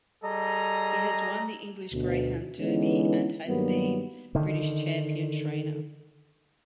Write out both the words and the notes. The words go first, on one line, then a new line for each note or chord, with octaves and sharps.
He has won the English Greyhound Derby and has been British champion trainer.
G3 G#4 A4 D#5 A#5
D2 B2
D3 E3 G#3 B3 C#4 D#4
G2 D#3 F#3 G3 A#3 B3
D3 D#3